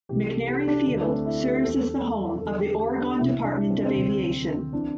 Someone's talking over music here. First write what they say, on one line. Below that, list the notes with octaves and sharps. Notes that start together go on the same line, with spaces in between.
McNary Field serves as the home of the Oregon Department of Aviation.
C2 C3 E3 G4
A4
G4
D4
D2 D3 D4
A3
C4
E4
G4
E2 D3 A4
E2 D3 A4
G4
G4
D4
C2 C3 E3 E4
D4
C4
D4
C4
D2 C3 E3
C2 C3 E3 D4